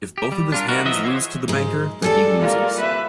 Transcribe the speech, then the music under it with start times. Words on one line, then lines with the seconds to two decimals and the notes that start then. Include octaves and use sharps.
If both of his hands lose to the banker then he loses.
0.18 G4
0.32 G3
0.52 D4 F4 A#4
0.68 D#4 F#4 A#4 B4
0.85 E3 F3 D#5 E5
1.05 F#4 G#4 C5 C#5 E5
1.48 G#2 G#3
2.02 G3 G#3 A4 D5
2.40 A#3 F4
2.77 B4 E5